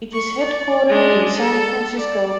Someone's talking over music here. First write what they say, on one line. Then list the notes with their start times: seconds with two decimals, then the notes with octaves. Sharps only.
It is headquartered in San Francisco.
0.13 C#6
0.44 D5
0.89 G#3 D4
1.39 A4
1.97 D5